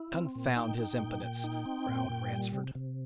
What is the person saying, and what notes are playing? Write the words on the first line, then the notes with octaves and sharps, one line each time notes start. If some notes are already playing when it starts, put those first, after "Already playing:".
"Confound his impudence!" growled Ransford.
Already playing: E4
C4
A#2
D#4 G5
D#4
A#2
A#2
D#4
C4
A#2
A#2
G3
C3
C3